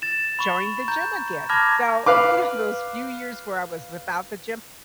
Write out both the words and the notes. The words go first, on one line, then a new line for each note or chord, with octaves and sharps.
joined the gym again. So, you know, those few years where I was without the gym,
A6 E7
B5 C#6
A#5 G6
A5 B5 D6 F6 G#6 A#6
B4 F5 D6